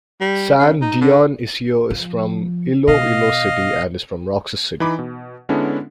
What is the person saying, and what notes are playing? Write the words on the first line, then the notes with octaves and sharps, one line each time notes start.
San Dionisio is from Iloilo City and is from Roxas City.
G3
C#3
D#4
D3
F3
B2 D#5 F5
E3 D#4 B5 D6
B2
D3 G#3 B3 C#4 D4 E4